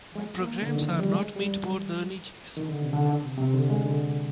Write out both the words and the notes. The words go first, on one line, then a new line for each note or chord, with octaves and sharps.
My programs are not meant for the niches.
G#3
A#3
D3
D#3
F3
G3
G#3
G3
D#3
D3
C3
D3
D3
C3
C3
D3
G#3
D3